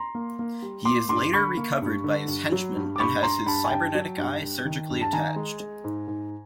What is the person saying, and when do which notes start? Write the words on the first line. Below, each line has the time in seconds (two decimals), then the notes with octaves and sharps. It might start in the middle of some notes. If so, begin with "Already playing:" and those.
He is later recovered by his henchmen and has his cybernetic eye surgically attached.
Already playing: A#5 C6
0.15 A#3
0.39 A#3
0.62 G3
0.85 A#3 C6 D6
1.09 G2 C6 D6
1.33 D3 B5 C#6
1.57 A#3
1.82 G2
2.04 D3
2.28 G2
2.52 F#3
2.76 G2
2.96 D6
2.99 G2 B5 C#6
3.23 G2 A#5 C6
3.46 G2 A5 B5
3.64 G#5
3.70 G2 G5 A5
3.95 F#3
4.18 G2
4.42 G2
4.65 D#3
4.90 G2
5.01 A5
5.13 D#3 G#5 A#5
5.36 G#3
5.60 G#3
5.84 G#2
6.08 G#2